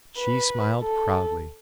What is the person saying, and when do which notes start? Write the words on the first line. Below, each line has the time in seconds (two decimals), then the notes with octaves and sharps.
She smiled proudly.
0.18 B4
0.82 A4